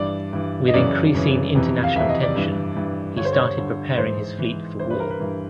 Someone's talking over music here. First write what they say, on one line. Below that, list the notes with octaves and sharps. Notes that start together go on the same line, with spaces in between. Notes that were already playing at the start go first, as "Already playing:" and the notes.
With increasing international tension he started preparing his fleet for war.
Already playing: G2 E3 D5
G2 E3
D#5
F#2 C#3 E3 D5
F#2 C#3 E3
F2 C3 E3
F5
F2 C3 E3 E5
D#5
D5
G2 E3
G2 E3
G2 D3 C#5
C5
C#5
G2 D3
G#2 E3 C5
G#2 E3
G2 E3 C5
B4
A#4
B4
G2 E3